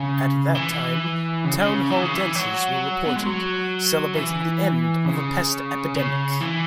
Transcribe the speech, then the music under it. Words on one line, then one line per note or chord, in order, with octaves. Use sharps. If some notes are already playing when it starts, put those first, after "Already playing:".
At that time "town-hall dances" were reported, celebrating the end of a pest epidemic.
Already playing: C#3
E3
C#3
C#3
E3
C#3
E3
F#3
B3
G#3
F#3
E3
C#3
C#3
E3